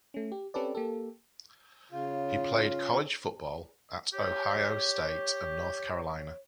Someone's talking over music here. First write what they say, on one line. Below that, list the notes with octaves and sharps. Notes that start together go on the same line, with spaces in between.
He played college football at Ohio State and North Carolina.
A3 C#4
G4
C4 C#4 G4 A4 B4 D5
A#3 G4 A4
C#3 F4
G4 C#5